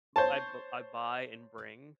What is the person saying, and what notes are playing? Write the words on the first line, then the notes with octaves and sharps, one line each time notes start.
I b I buy and bring
C5 C#5 A5